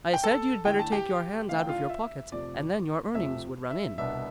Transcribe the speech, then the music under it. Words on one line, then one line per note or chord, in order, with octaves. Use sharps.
I said you'd better take your hands out of your pockets, and then your earnings would run in.
G5
A4 A5
D3 A3 E4 G5
A5
G4 G5
D3 A3 E4 F5
G5
F4 F5
E5
F2 C3 F3 A3 D5
F2 C3 F3 A3 E5
E5
C2 B2 B3 D4 E5